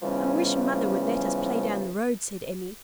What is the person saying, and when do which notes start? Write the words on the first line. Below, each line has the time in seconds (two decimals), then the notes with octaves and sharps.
"I wish mother would let us play down the road," said Emmy.
0.02 C#3 E3 F3 G3 B3 C#4